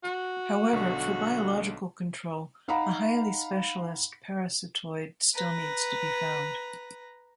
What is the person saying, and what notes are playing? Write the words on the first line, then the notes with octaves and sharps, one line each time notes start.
However, for biological control a highly specialist parasitoid still needs to be found.
F#4
B1 D3 C#6
D#4 F5 F#5 A#5 B5
B4 A#5